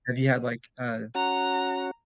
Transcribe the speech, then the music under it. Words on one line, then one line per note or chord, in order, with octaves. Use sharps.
Have you had, like, uh,
C#4 F#4 F#5 A#5